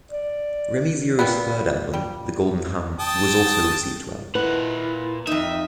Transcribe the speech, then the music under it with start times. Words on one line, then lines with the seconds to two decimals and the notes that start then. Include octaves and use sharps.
Remy Zero's third album "The Golden Hum" was also received well.
0.12 D5
1.19 A#2 G3 B3
1.94 G3
2.99 G5 A5 D#6
4.35 A#2 E4 B4 F#5
5.27 F2 D#4 E5